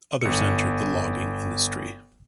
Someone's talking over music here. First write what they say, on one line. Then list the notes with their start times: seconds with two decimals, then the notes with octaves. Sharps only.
Others entered the logging industry.
0.21 G1 C#7